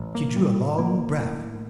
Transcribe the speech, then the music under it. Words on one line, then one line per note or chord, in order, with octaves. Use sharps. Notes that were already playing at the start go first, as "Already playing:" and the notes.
She drew a long breath.
Already playing: A1
A#3
A2 G3
A1 A#3
A2